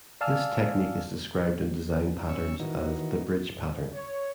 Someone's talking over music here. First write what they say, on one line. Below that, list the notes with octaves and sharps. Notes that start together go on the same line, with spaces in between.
This technique is described in Design Patterns as the Bridge pattern.
D5 F5 G#5 A5 E6 F6
F#2 C#4 C#6 E6
D#3 E3 D#4 F#4
C#5